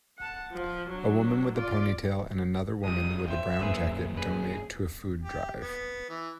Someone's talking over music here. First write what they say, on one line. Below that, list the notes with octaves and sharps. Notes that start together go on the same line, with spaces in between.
A woman with a ponytail and another woman with a brown jacket donate to a food drive.
F#5 A5
F3
F#3 D4
F4 D5
E1 F2 G3 G#3 D#6
C5 E5 G5
D#1 F#2 A#3 G#4 B4 C5
G#4 B4
G4
B3
E3